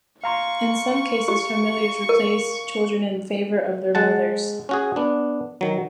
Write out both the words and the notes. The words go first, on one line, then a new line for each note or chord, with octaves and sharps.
In some cases familiars replace children in the favour of their mothers.
F5 A#5 C6 C#6
G4
A#4
G#3 F#5 A5
C#4 F#4 G#4
B3 D4
D#3 F#3